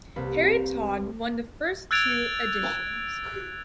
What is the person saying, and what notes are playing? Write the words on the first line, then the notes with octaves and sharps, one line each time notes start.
Harry Todd won the first two editions.
C2 A#3 B4
E6 F#6 G#6 A6 D7 F7